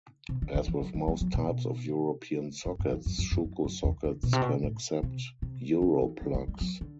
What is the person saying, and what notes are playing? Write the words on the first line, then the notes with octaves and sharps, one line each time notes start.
As with most types of European sockets, Schuko sockets can accept Europlugs.
C3
D3
D3
E3
F#3
G3
G3
F#3
B2
B2
G2
G2
E2
F#2
F#2
F#2
F#2
F#2
E2
E2
B2
C3
B2
A2
C3
C3
D3
E3
G3
A3
G3
F#3
D3